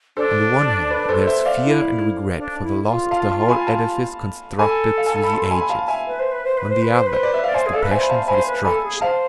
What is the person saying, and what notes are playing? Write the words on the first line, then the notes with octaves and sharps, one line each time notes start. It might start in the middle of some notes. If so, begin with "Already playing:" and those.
On the one hand there is fear and regret for the loss of the whole edifice constructed through the ages, on the other is the passion for destruction.
D4 A4 C5
B4 D5
A4 C5
C5 E5
D5 F5
E4
D4
E4
F4
F5 A5
A5 C6
G#5 B5
F5 A5
A4 G#5 B5
F5
G#5
A5
B5
A5 C6
C6
G#5 B5
B5
F5 A5
E5 G#5
B4
C5
B4
C5
B4
C5
B4
C5
B4
C5
D5
E5
D5 F5
C5 E5 G#5
G#4
A4 D5 F5
B4
C5 E5 G#5
B5
F5 A5
C5 G#5 B5
B4
A4 G#5 B5
G#4
C5 F5 A5